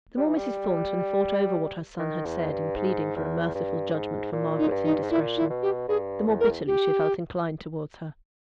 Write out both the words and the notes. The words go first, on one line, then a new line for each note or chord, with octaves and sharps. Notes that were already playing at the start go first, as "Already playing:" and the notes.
The more Mrs. Thornton thought over what her son had said, in pleading for a merciful judgment for Margaret's indiscretion, the more bitterly she felt inclined towards her.
G3
E3
G3
D#3
E2
G2
G#2
E2
G2
G#2
A#2
D#4
G2
D#4
G#2
A#2 E4
E4
B2
G4
G2 G#4
E2
A#4
G4